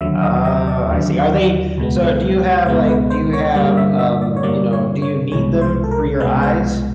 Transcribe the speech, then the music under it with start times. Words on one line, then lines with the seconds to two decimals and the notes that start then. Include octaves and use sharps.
Oh, I see. Are they so, do you have, like do you have, um, you know, do you need them for your eyes?
0.01 D#2 D3 F#3 E5
0.23 D#5
0.45 D#5
0.67 D5
0.90 D#2 D3 F#3
1.78 C#2 B2 G#3 B3
2.66 C#2 B2 G#3 B3 C5
2.89 B4
3.10 C5
3.33 C#5
3.55 G2 D3 G3 A#3 D5
3.77 E5
3.99 E5
4.22 D5
4.37 C#5
4.43 G2 D3 G3 A#3 D5
4.73 C#5
5.02 C#5
5.32 C2 B2 G#3 C#5
5.61 C5
5.84 A4
5.91 A#4
6.20 C2 B2 G#3 B4
6.43 C5